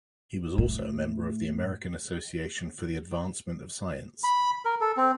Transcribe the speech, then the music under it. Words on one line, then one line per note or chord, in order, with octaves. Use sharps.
He was also a member of the American Association for the Advancement of Science.
A2
B5
A#4
A4
C4